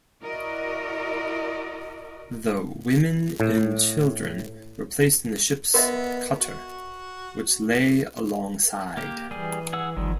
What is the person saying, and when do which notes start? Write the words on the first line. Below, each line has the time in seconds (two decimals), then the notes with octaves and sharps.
The women and children were placed in the ship's cutter, which lay alongside.
0.23 E4 F#4 A#4 D5 D#5
3.40 A2
5.74 B3 A#4 D#5 E5
6.41 F#4
8.97 A#3 G4
9.31 E3 G3 G#4
9.73 G#4 F#5 E6
9.96 G1 D#3 F3 G3